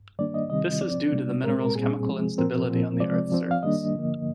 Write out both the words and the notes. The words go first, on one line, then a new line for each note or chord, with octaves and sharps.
This is due to the mineral's chemical instability on the Earth's surface.
D#3 G3 A#3 D4 D5
D#5
C3 D#3 G3 C4 D#5
F3 C4 D5
C3 G3 A#3 D4
A#2 G#3 C4 A#4
A#4
A#4
A#2 G3 C4 G#4
F3 G#3 C4
A#2 F3 C4 A#4
A#2 F3 C4
C3 F3 G#3 C4 D5
F3 C4
F5
D#3 G3 A#3 D4 D#5
D3 F3 A#3